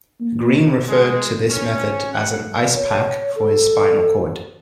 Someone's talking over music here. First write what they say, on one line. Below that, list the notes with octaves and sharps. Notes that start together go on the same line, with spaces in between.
Green referred to this method as an ice-pack for his spinal cord.
A#3
G#3
C#4
F#5
C#5
A4